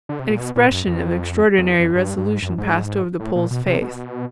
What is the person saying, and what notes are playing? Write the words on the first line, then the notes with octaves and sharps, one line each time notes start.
An expression of extraordinary resolution passed over the Pole's face.
D3
C3
A#2
B2
A#2
F#2
F2
F2
E2
F2
G2
G2
G#2
F#2
G#2
A2
A#2
B2
C3
B2